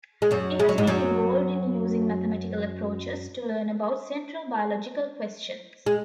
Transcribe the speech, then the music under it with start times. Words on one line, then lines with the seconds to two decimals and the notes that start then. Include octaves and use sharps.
He has been involved in using mathematical approaches to learn about central biological questions.
0.22 G#3
0.31 F#2 F#3
0.60 G#3
0.69 F#3
0.78 G#2 G#3
0.87 F#2 F#3
5.86 G#3